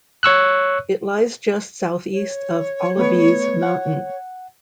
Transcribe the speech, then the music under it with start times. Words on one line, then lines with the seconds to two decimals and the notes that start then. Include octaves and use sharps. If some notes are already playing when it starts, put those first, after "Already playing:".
It lies just South-East of Olivee's Mountain.
0.23 C#5 C#6 E6 F#6
2.12 C#5
2.97 A3 B3 B4
3.63 F#5